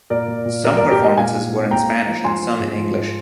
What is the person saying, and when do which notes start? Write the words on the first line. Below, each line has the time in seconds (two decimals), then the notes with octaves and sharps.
Some performances were in Spanish and some in English.
0.10 A#2 A#4 D5
0.28 A#2
0.46 A#2
0.64 A#2 A#4 D5
0.77 A#4 D5
0.82 A#2
0.91 G4 A#4
1.00 A#2 D#5 G5
1.17 A#2 F5 G#5
1.35 A#2
1.53 C4
1.71 A#3 G5 A#5
1.89 A#3
2.07 F3
2.24 F3 G#5 C6
2.43 F3
2.60 G#2
2.79 F3
2.96 G#2